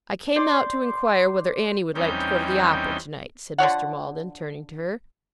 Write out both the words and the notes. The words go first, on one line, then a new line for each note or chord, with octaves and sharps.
'I came out to inquire whether Annie would like to go to the opera tonight,' said Mr. Maldon, turning to her.
C5 D5 C6 D6
E2 G3 C4 C#4 D#4 G6
D3 F3 C#5 F#5